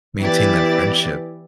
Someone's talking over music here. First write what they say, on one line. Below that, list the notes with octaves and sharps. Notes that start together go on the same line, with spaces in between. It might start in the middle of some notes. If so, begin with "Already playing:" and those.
maintain that friendship.
E3 B3 E4 G4 D5